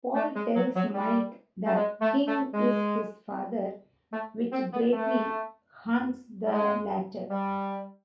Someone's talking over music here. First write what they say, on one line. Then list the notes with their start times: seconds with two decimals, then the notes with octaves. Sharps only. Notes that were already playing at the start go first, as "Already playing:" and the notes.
Paul tells Mike that King is his father, which greatly haunts the latter.
0.15 A3
0.36 G#3
0.55 F#3
0.75 F#3
0.94 G3
1.66 A3
1.75 G#3
2.01 A3
2.27 A3
2.54 G#3
4.13 A3
4.52 C4
4.72 B3
4.93 A3
6.47 G3
6.51 G#3
7.30 G3